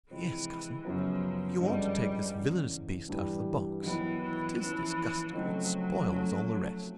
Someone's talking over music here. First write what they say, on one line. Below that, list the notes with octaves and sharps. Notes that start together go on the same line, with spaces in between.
"Yes, cousin, you ought to take this villainous beast out of the box--it is disgusting--it spoils all the rest."
C3 E3 F3 G#3 C4 F4
F#2 C#3 F3 F#3 B3
G2 D3 F3 G3 G#3 C#4
E2 C#3 E3 G#3 C#4
G2 E3 G3
D#3 E3 F#3 B3
E3
E3 F3 A#3 C#4 F4
C#3 F3 F#3 A3 C4 D#4
F3 A3 C#4
F#3 A3 C4 F#4